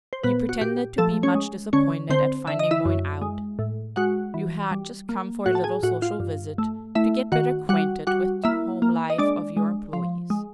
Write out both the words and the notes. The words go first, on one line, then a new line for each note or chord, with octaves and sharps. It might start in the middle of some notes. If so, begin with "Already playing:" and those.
You pretended to be much disappointed at finding Moyne out--you had just come for a little social visit, to get better acquainted with the home life of your employees!
C5
A#2 B3 B4
F#4
A#2 G4
F3 A3 A4
C#4 C#5
G#3
D3 C#4 C#5
D3 C4 C5
D3 E5
D#5
E4 E5
F#2
G#3
A2
G#3 F#4 F#5
E3
G3
A#3
A2 F#4 F#5
A5
G#4 G#5
A2 F#4 F#5
F4 F5
G2
A3
A3 E4 E5
D#3 F#4 F#5
G3 F#4 F#5
G3 F#4 F#5
A#3 E4 E5
A#3
D#5
G#3 D4 D5
G#3
F3
G#3